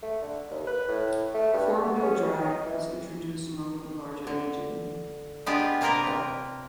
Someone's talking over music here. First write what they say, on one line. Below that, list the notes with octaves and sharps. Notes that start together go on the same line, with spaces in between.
Four-wheel-drive was introduced along with the larger engine.
A3
D3
D#2
B4
A2
A3
G2
B3
C#4
B2
D#4
E3
D3
G#3 B3 D4 F4 G4
C3 A#3 D4 F4 A#4 G5